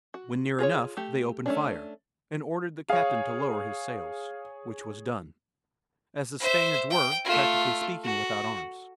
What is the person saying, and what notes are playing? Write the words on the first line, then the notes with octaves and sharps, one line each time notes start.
When near enough they opened fire, and ordered the captain to lower his sails, which was done, as the Spaniards were, practically speaking, without arms.
F#4
F4 G#4 B4 C#5
A3 G4
A3 C#4 D4
G#4 C#5 F5
C5 E5
G5
A3 F4
F#4